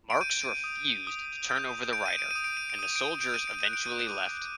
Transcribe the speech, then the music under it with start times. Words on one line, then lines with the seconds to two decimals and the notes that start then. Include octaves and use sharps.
Marx refused to turn over the writer, and the soldiers eventually left.
0.10 D7
0.21 G6 D#7
0.64 D#6
1.07 D#6
1.49 G6
1.93 G6 D7
2.06 D#7
2.19 D7
2.31 D#6 D#7
2.44 D7
2.57 D#7
2.70 D7
2.79 D#6 D#7
2.96 D7
3.08 D#7
3.21 G6 D7
3.34 D#7
3.48 D7
3.60 F#6 D#7
3.73 D7
3.86 D#7
3.99 D7
4.07 D6